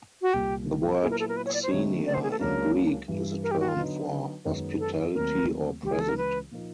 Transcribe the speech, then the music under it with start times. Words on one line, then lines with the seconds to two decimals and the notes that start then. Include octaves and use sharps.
The word Xenia in Greek is a term for hospitality or present.
0.22 F#4
0.34 C2 A#2 G3 G4
1.02 A#2 F#3 B3 E4 G#4
1.11 A#4
1.20 A4
1.29 A#4
1.37 B4
1.46 C#5
1.54 D5
1.63 C5
1.71 D3 F#3 A3 C4 D#4 C#5
2.06 D5
2.14 C5
2.23 G#4
2.31 A4
2.40 C#2 C#3 F#3 A#3 D4 A#4
3.08 G2 E3 G3
3.43 A#4
3.51 G4
3.60 F#4
3.68 F4
3.76 D3 F#3 B3 D#4
4.45 F#2 D#3 G#3 B3 D#4
4.79 A4
5.14 D#2 D#3 F#3 A3 C4 A#4
5.83 C#2 C#3 E3 G4
5.93 G#4
6.00 A4
6.09 A#4
6.18 B4
6.51 A#2 F3 A#3 D#4